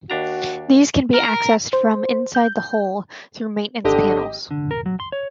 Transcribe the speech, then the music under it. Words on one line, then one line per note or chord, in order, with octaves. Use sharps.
These can be accessed from inside the hull through maintenance panels.
D#2 D4 F#4 A#5
A#4
C5
G6
G#1 D3 G4 D#5
D3
A#4
F#3
C6
C#5